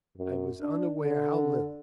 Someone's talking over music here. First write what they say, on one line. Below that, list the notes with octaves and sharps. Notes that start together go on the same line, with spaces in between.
I was unaware how little.
F#2
D4
D3